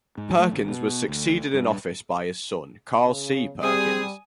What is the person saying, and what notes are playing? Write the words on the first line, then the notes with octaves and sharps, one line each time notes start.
Perkins was succeeded in office by his son, Carl C. Perkins.
G#2
A3
G#1
B2
D2
G2
C#3
G3 C4 G#4 G#5 D#6